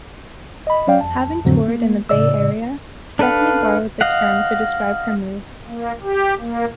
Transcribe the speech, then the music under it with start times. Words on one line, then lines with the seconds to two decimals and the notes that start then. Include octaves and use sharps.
Having toured in the Bay Area, Stefani borrowed the term to describe her mood.
0.67 D#5 B5
0.87 F#3 C#4 D5 F5 G5
1.01 F2 A5
1.45 F2 A2 D3 F#3 C4
1.68 A#3
2.09 A2 C#3 D5 E6
3.19 D4 A4 B4 F5
4.01 D#5 F5 F#5
5.67 A#3
6.02 G4
6.40 A#3